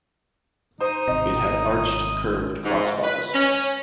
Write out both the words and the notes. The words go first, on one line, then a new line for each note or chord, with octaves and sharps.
It had arched, curved crossbars.
D#4 C5 D#6
G#1 C3 D#5
G#2
B4
C#4